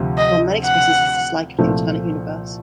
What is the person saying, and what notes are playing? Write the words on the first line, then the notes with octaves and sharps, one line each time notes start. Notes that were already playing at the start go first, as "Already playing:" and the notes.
Rom then expresses his dislike of the alternate universe.
Already playing: D2 C3 F3
D#5
F#5
C2 A#2 F3 A3 C4